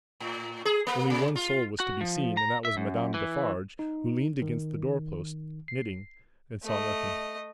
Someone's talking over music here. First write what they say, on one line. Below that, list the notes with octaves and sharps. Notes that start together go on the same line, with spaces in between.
Only one soul was to be seen, and that was Madame Defarge--who leaned against the door-post, knitting, and saw nothing.
A2
G#4
A#3
C3
F4
F#4
F3
A#5
E5
F#2
E3
D#4
D#3
C7
A3 D#5